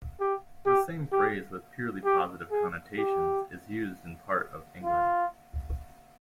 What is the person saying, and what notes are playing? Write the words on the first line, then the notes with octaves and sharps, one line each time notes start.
The same phrase with purely positive connotations is used in part of England.
G4
G4
G4
G4
G#4
G4
F4